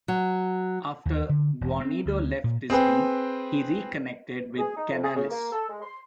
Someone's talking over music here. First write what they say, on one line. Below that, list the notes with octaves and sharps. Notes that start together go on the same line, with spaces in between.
After Guarnido left Disney, he reconnected with Canales.
F#3
D#2
D3
E1
C4
D2
A#2
C4 G#4 B4 G5
G#4
D#4
F2
G#4
C#3
A#3
A4
G#3
C6